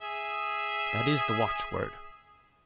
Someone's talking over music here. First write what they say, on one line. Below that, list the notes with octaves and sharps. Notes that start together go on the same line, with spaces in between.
That is the watch-word.
G#4 E5